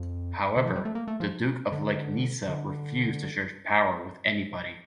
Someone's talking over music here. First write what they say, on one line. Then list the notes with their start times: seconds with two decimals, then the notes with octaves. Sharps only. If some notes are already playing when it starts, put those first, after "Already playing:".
However, the Duke of Legnica refused to share the power with anybody.
Already playing: F2
0.57 D3
0.66 F3
0.76 G3
0.85 A3
0.95 A#3
1.08 A3
1.20 F3
1.72 D3
2.48 D3